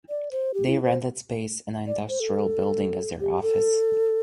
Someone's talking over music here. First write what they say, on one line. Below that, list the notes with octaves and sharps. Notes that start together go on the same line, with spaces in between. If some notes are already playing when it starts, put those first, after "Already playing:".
They rented space in an industrial building as their office.
D5
C5
G4
E4
C5
D5
C5
A4
G4
A4